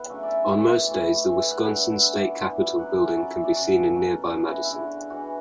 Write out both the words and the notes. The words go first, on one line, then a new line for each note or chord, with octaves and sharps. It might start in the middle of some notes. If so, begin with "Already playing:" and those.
On most days the Wisconsin State Capitol building can be seen in nearby Madison.
Already playing: B3 E4 A4 B4
C#3 F#3 A3 D4 E5
D5
E5
A2 E3 A3 E4
A2 E3 A3 E4
E3 A3 D4 E5
E5
F#5
E3 A3 D4 F#5
F#5
E5
E3 B3 E4 E5
D5
E3 B3 E4
F#3 C#4 E4 F#5
E5
D5
F#3 C#4 E4 C#5
E5
D5
B2 F#3 C#4 F#4
B2 F#3 C#4
D3 G#3 D4 F#4
E4
E4
D3 G#3 D4
E3 G#3 D4 F#4